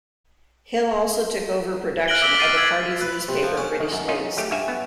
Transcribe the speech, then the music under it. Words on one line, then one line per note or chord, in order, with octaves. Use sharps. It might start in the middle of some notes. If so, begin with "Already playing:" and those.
Hill also took over production of the party's newspaper "British News".
F6 F#6 A#6 D7 F#7 G7
D6 E6 B6 D7 G7
F6 A6 C7 D#7
E6 G#6 F#7
B4
C3
F3
C#4
D#3
F#2
C#4 D#4 F4 D#5
F#3 A3 G4
G2 F#4 E5 F5 G#5
B3